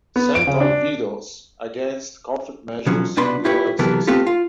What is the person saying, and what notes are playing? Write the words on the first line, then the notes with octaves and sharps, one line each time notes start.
Central vetoes "against" conflict measures do not exist.
B3
D7
C#3
D4
B2 F3 F#3 C#4
C2 B2 D4 B4 C6
E4 F4 G4 B4 C#5
C3 E3 F#3 B3 A4 A#4
A3 B3 C4 F4 G4 A4
F4